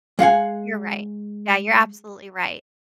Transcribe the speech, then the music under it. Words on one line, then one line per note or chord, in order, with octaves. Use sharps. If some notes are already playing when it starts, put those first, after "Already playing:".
You're right. Yeah, you're absolutely right.
G#3 F5 F#5 G#5